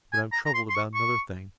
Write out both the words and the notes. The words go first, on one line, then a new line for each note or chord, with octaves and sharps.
But I am troubled about another thing.
G#5
A#5
A#5
C6
C6
C#6
C#6